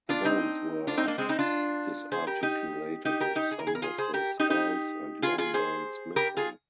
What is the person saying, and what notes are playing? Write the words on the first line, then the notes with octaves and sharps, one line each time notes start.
The bones were disarticulated with some of the skulls and long bones missing.
D4 F4
C4 D#4
D4 F4
C4 D#4
A#3 D4
G#3 C4
C4 D#4
D4 F4
G#4 C5
G4 A#4
D#4 G4
D#4 G4
G4 A#4
D#4 G4
G#4
A#4
G#4
A#4
F4 G#4
G#4 C5
G4 A#4
D#4 G4
D#4 G4
F4 G#4
F4 G#4
G#4 C5
G4 A#4
F4 G#4